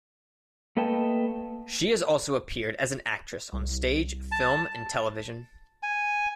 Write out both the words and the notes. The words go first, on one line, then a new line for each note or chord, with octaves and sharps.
She has also appeared as an actress on stage, film and television.
A3 A#3 B4 D#5 G5 A5
C2
A5
G#5